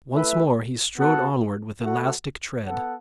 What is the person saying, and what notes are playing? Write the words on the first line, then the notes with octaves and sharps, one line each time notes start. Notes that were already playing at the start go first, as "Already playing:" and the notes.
Once more he strode onward with elastic tread.
A3 E4 B4 E5
B3 F#4 A4 F#5
A3 F#4 A4 F#5
B3 A4 F#5